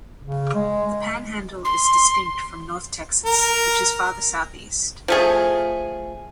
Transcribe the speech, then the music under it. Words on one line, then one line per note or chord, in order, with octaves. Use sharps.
The Panhandle is distinct from North Texas, which is farther southeast.
C#3
G#3
C6
A#4
F3 A3 G#4